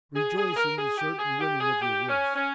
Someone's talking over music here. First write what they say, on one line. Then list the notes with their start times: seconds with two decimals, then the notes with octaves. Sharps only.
Rejoice in the certain winning of your wish!
0.15 G#4
0.36 G#4
0.57 A#4
0.77 G#4
0.97 G4
1.18 G#4
1.40 G4
1.60 G#4
1.81 G4
2.09 C#4
2.35 C#4